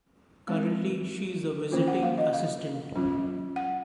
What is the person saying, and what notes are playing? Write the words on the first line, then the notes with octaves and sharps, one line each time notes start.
Currently she is a Visiting Asst.
G#3 C4 D#4
D#3 A#3 C#4 F4
F#5
F5
D#5
F5
F#3 C#4 F4
F#5